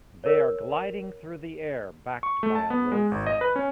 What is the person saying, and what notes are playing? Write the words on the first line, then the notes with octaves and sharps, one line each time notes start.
They are gliding through the air, backed by a low sun.
A#4 C#5
C#6
A3
A5
B3
G#3
G#1
D#5
B4
C#4